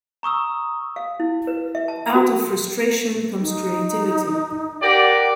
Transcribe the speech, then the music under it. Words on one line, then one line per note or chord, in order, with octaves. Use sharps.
Out of frustration comes creativity.
A#5 C#6 D#6 E6
F5
E4
B4
E5
A5
F#4
D#4
G4 A#4 D5 F#5